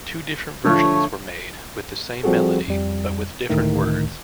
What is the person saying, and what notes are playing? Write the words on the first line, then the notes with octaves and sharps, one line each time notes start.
Two different versions were made with the same melody but with different words.
D3 F3 A3 C#5
F3 G3 C4 F#4 G#4 A4
F2 G3
C#2 A2 D3 D#3 A3